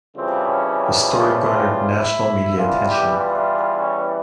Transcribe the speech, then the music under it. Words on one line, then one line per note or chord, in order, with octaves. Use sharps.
The story garnered national media attention.
F2 C#3 E3 G3 C4
C#4
F4
F4
E4
E2 E3 G3 F4
G4
F4
C#4